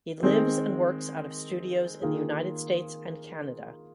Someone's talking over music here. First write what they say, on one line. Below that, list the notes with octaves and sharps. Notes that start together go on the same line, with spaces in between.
He lives and works out of studios in the United States and Canada.
D#3 G#3 C4
D#3 A#3 F4 G#4